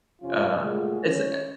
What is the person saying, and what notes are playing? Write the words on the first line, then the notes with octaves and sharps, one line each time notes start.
um, it's, uh
F2 C3 F3 C#4 F4
A#2 G#3 A3 F4 F#4 G#4
D#3 C#4